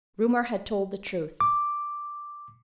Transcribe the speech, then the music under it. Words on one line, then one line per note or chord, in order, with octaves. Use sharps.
Rumor had told the truth.
D6